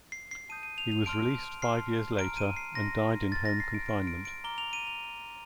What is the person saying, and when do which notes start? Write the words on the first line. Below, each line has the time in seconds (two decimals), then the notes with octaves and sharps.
He was released five years later and died in home confinement.
0.12 C7
0.31 C7
0.49 A5 D#6 G6 D#7
0.63 D#7
0.78 F7
0.92 F7
1.06 A5 C6 F6 D7
1.62 A5 C6 F6 C7
2.18 A#5 F6 D7
2.37 D#7
2.56 C7
2.75 C6 F6 A#6
3.32 C6 F6 A6
3.45 A#6
3.60 C7
3.74 D7
3.88 C6 F6 D7
4.07 D7
4.25 D7
4.44 A#5 D6 F6 G7
4.58 F7
4.73 D#7
4.87 F7